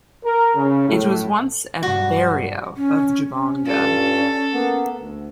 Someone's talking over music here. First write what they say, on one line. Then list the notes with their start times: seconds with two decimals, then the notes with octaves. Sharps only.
It was once a "barrio" of Jabonga.
0.24 A#4
0.55 C#3
0.88 A2
1.83 B1 G2 F#4
2.77 C#4
3.31 C#4
3.66 G2 G3 F4 A4
4.53 A#3 B3
4.94 D2